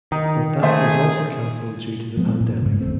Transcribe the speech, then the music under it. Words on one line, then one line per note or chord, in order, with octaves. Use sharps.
But that was also cancelled due to the pandemic.
D#3 D#4
A3 G#4 C5 E5
F3 G#3 B3 C4
A2 A#3
G#2 C#3
F#1 D#2 A3 C4